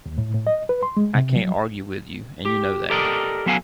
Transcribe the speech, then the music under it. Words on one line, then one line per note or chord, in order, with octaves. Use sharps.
I can't argue with you, and you know that.
D#2
A2
A2
D#5
B4
C6
G#3
C3
F#3
G4
G4 A4 A#4 D5 D#5
F#3 B3 C#4 A4 F5 G#5